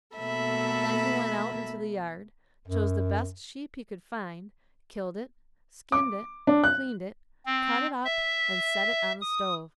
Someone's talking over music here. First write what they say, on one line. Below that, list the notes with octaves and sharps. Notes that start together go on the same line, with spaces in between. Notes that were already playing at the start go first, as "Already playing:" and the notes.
Then he went out into the yard, chose the best sheep he could find, killed it, skinned it, cleaned it, cut it up, and set it on the stove.
B2 A3 A#3 A4 E5 B5
F#2
D6
D4
F#6
C4
E5
D#6